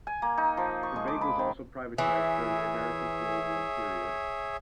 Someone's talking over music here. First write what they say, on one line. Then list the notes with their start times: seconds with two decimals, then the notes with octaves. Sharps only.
The bank was also privatized during the American colonial period.
0.07 G#5
0.22 A#3
0.38 D#4
0.57 F3
0.83 C#6
0.96 G#3
1.08 D6
1.21 B5
1.39 D#3
1.98 E3 G#4 C#5 E5